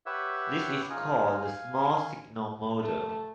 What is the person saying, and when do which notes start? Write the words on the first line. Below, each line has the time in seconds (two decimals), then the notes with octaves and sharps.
This is called the "small-signal model".
0.06 G4 B4 C#5 E5 F#5 E6
0.90 D#4 F4 G#4 D#5 G#5
1.44 F5 G#5
2.81 A3